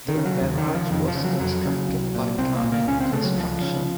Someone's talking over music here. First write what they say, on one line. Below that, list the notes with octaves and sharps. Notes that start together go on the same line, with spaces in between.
The barrage was constructed by Tarmac Construction.
D#3
C#3
F#3
D#2
D#3
C#3
F3
F2 D#3
F3
C#3
F#3
F2 F#3
C#3
C2
A#2
C2 C4
A#3
A#2
A#3
C#2 C#4
C4
C#3 A3
F#3
C#2 F3
C#3